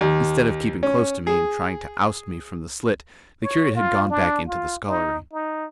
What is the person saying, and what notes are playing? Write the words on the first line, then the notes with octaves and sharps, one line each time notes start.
Instead of keeping close to me and trying to oust me from the slit, the curate had gone back into the scullery.
D#2
C#4
G#4
C#5
F4
D4
F4
D#4
D#4